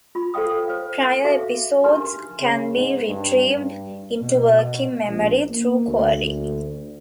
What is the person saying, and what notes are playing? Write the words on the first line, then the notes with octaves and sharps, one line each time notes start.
Prior episodes can be retrieved into working memory through query.
F4 B5
A4 C5 F5 G5 D#6
C5 C#5 F5
F#4 A4 E5 F5 D6
D4 D#4 G4 A#4 B4 C6
C#3
G#2
G2
G2
B2
A#1
A#3
D2